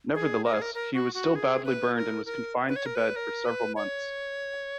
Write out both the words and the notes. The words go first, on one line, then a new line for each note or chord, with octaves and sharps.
Nevertheless, he was still badly burned and was confined to bed for several months.
G#4
A#4
G#4
A#4
A#4
F#4
F#4
G#4
B4
A#4
A#4
B4
C#5
A#4
B4
A#4
B4
C#5